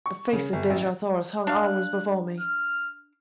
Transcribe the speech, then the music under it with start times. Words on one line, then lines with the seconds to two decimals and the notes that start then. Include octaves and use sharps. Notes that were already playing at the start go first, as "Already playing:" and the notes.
The face of Dejah Thoris hung always before me.
0.06 C#6
0.32 C#3
0.53 G1
0.70 A1
1.47 D4 F5 F#6
2.40 F6